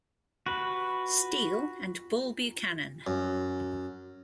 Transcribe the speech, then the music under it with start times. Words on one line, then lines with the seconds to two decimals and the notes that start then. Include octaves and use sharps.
Steele and Bull Buchanan.
0.46 F#4 B4
3.07 F#2